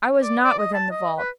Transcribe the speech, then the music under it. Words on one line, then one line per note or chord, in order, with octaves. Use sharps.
I was not within the vault.
D5
D5
D#5
A5
D#5
B4